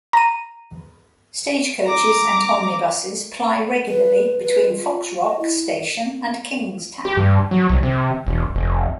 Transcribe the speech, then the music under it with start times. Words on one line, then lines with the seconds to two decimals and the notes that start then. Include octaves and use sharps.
Stage coaches and omnibuses ply regularly between Foxrock station and Kingstown.
0.13 A#5 D#7
1.85 A#5 D6
3.88 B4
4.43 B4
4.68 F4
5.24 D#5
5.39 E4
7.05 G4
7.17 G2
7.51 F#3
7.69 C2
7.83 C3
8.27 E1
8.55 F1